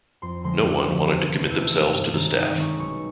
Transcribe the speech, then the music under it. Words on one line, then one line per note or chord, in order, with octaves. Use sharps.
No one wanted to commit themselves to the staff.
F2 C6
D3 F3 G#3 C4 C6
F2 D6
D3 F3 G#3 C4 D6
E2
C3 E3 A3
E2 E6
C3 E3 A3
G2
D#3 G#3 C#4
G2 D#6
D#3 G#3 C#4 C#6
B1 C#6